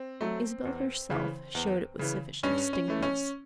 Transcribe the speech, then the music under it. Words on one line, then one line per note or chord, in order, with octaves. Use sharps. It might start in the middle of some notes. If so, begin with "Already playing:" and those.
Isabel herself showed it with sufficient distinctness.
Already playing: C4
F#3 A3
E2
C#3 E3
E2
C#3 E3
G2 C#4
C#4
E3 A3
C#4